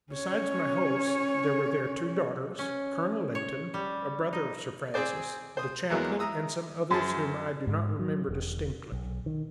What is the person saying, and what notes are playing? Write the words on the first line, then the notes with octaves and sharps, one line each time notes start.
Besides my hosts, there were their two daughters, Colonel Lynton, a brother of Sir Francis, the chaplain, and some others whom I do not remember distinctly.
C#4 C#5
C#4
C#5
G3
D#4
C4 G#4 C5 D5
C5 D#6
E2 F#3 G#3 A#3 B3 E4
E5 A#5 D#6 E6
F#2 G#4 A5
G#2
F#3
E1
B1
D#3